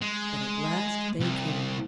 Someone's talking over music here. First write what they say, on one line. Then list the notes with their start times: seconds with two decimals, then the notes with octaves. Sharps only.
But at last they came.
0.02 G#3
1.20 C2